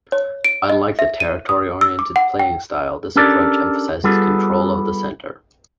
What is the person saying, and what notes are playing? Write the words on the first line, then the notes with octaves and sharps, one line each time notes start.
Unlike the territory-oriented playing style, this approach emphasizes control of the center.
C#5
D7
D#5
E5
D#7
D#6
E6
D6
F#5
G5
C#4 D4 G4 A4 A#4 D5
G3 B3 F4 G#4 A4